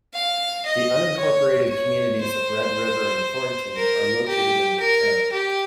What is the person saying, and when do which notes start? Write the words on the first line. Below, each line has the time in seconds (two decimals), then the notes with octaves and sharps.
The unincorporated communities of Red River and Thornton are located in the town.
0.14 F5
0.65 D#5
1.18 C#5
1.69 C#5
2.21 C5
3.76 A#4
4.28 G4
4.80 A#4
5.32 G4